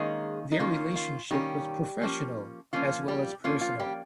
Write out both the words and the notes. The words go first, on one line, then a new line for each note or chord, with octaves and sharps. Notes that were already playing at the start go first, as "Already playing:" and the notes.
Their relationship was professional as well as personal.
Already playing: D#3 G#3 A#3 C#4 G#4
D#4
D#3 A#3 C#4 F4
F4
D#3 G3 A#3 C#4 G4
F3 A#3 C#4
F3 A#3 C#4 F4
G3 G4
F3 A#3 C#4 F4
F4
G3 G4